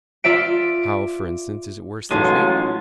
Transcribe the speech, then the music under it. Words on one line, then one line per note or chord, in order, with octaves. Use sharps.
How, for instance, is it worse than trade?
F4 D5 E5 D7
A1 F#3 G#3 C#4 D#4 F4 A4 D#7